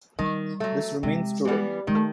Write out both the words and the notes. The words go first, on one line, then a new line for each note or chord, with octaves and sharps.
This remains today.
D#3 G3
F#3 A3
C3 G#3
E3 G3 B3
D#3 G#3
A3